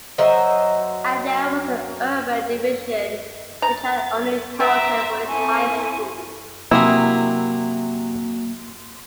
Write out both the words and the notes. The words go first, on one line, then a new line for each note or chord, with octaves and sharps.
And there was the urban division which had only Carlton for its high school.
F#3 C5 D#5 E5
A#5 A6
B3 E5 A#5 D6 E6 A#6
C4 E4 A4 G#5 C#6
C3 F#3 A#3 E4 G#4 A#5